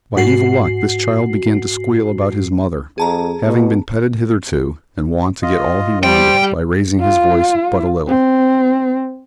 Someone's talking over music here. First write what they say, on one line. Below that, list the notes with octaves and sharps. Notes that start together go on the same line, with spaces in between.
By evil luck, this child began to squeal about his mother, having been petted hitherto, and wont to get all he wanted, by raising his voice but a little.
G#2 F#4 C7
F2 G#4 A5 A#5
B2
F4 D#5
G3 C5 G5
F4
C4